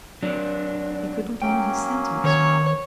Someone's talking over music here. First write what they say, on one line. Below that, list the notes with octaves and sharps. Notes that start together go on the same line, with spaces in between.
He could not end his sentence.
F#3 D4
F#3 A#3 C#4 G5
D#3 C#5